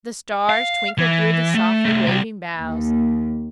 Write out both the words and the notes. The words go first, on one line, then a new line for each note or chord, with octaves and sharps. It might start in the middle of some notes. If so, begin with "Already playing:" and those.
The stars twinkled through the softly waving boughs.
F5
E3
A3
C2 A3
C3 G3
D#2